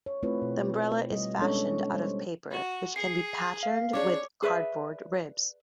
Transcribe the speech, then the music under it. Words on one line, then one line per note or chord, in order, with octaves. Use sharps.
The umbrella is fashioned out of paper, which can be patterned, with cardboard ribs.
C#5
A3 C4 E4 F4 B4 C#5
B2
G3 D#5
G#3 B3 C#4 D4 A4 C#5
G3 C5
F#4
G#4 C7 C#7
F5 C7
C#4 D4 G#4 C#5 D6
G#4 B4 D5 E5